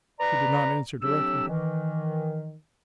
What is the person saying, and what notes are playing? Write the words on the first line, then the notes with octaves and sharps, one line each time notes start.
She did not answer directly.
B4 D5 A#5
A2 F#3 C4 D4 G4 E6
D#3 E3